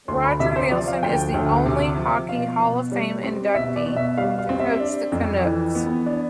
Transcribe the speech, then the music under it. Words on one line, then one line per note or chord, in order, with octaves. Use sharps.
Roger Neilson is the only Hockey Hall of Fame inductee to coach the Canucks.
D2 C6
B5
C3 E5
C5
F3 D5
F5
D2 G5
D2
C3
F3
B2 F5
B2
G3
C4
B2 E5
D5
B2
E5
G3 F5
F5
C4
E5
D4
F2
E3
B3
D4 D5